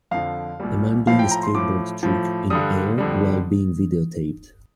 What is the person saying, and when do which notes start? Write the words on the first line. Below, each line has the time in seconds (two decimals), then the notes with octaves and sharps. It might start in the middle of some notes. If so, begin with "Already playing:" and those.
A man doing a skateboard trick in air while being videotaped.
0.11 F2 D3 F3 F5
0.60 C2 A#2 G3
1.07 A2 F3 F5
1.19 G5
1.31 A#5
1.43 C6
1.55 A2 F3 D6
2.03 A2 F3
2.50 G2 D3 G3 D#6
2.98 F2 D3 G3